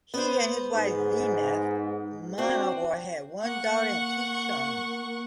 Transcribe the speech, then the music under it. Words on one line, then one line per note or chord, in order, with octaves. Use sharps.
He and his wife Zeenath Munawar had one daughter and two sons.
B3 C5
G#2
C4 D4 F#4
A#3 F#5 C#6